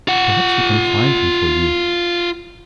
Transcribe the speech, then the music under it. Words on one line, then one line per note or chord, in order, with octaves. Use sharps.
Perhaps we can find him for you.
F4 F#5